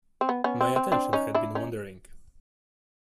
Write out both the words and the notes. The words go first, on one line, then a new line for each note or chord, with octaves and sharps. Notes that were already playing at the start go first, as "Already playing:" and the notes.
My attention had been wandering.
C4
B3
B3 C#4
C4
C4
C4 D4
C#4 D#4
D4 E4
C#4 D#4